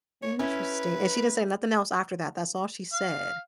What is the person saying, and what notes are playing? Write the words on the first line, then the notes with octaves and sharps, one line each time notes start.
Interesting, and she didn't say nothing else after that, that's all she said?
C#5
C#4 E4 B4
F5